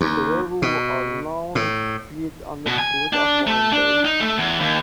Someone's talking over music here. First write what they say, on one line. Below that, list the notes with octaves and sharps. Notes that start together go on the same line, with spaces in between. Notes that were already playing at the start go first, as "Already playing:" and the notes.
Kereru are known to feed on the fruit of wineberry.
D#2
B2
A2
B2
G#5
D4
A3
D4
D#4
A3
E2
D#2